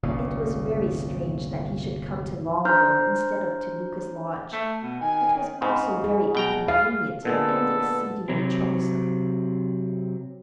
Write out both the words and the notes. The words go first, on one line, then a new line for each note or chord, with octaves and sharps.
It was very strange that he should come to Longbourn instead of to Lucas Lodge; it was also very inconvenient and exceedingly troublesome.
G1 C2 A#2 C#3
D4 C5 A#5 C6 F6 G6
A3
B2
D#3 G#5
G#2 C#3
G#4
B2 G5 A#5
F4 F5
A#2 D3 G#3 B3 A4
C3 F#3 C4